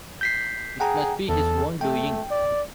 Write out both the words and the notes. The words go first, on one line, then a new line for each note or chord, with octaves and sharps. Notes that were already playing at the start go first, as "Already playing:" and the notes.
It must be his own doing.
G6 B6 C7
G#4 F#5 G5 A#5
E2 A4
A3 G5
D5